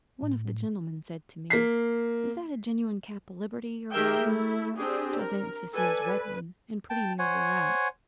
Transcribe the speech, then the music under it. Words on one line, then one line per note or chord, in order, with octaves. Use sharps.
One of the gentlemen said to me, "Is that a genuine cap o' Liberty you're wearing?" 'Twas Aunt Cecile's red one, and pretty near wore out.
A2
A#3 B6 C7
D#3 G4 G#4 A#4 E5 G5
A3 E4
C4 D4 G4 G#4
A#4
A4 B4 D5 G#5
B4
G5 A5
C5 C#5 F#5 G#5